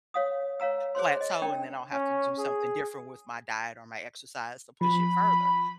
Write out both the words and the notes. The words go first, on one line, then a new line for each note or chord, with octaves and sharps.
plateau, and then I'll have to do something different with my diet or my exercise to push it further.
C#5 F5 D#6
C#5 F5 A#5 E6
G#4 C5 C#5 C6
D#5
C#4 D4 A#4 G5
C#4
G#4
F3 B5